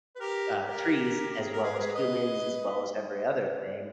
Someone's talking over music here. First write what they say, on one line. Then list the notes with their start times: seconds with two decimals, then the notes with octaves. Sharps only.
uh, trees as well as humans, as well as every other thing.
0.15 B4
0.20 G4 A#4
0.68 G4 A#4
1.31 G4
1.41 G#4
1.52 A#4
1.63 G#4 B4
1.74 A#4
1.79 G#4 B4
1.95 B4 D#5